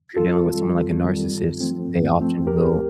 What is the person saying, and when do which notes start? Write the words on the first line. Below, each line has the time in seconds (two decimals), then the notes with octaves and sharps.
if you're dealing with someone like a narcissist, they often will
0.16 F2 F4 A4
0.46 D#3 G3 C4
0.75 F2
1.03 D#3 G3 C4
1.32 G2
1.61 F3 A3 C4
1.89 G2
2.18 F3 A3 C4
2.47 D2 G4 A#4